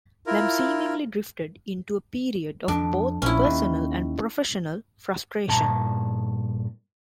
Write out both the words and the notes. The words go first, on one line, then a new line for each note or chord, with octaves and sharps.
Lamm seemingly drifted into a period of both personal and professional frustration.
E4 F4 A#4
F2 D4
A#1 C#4 E4
D#2
G2 A#2 A5 A#5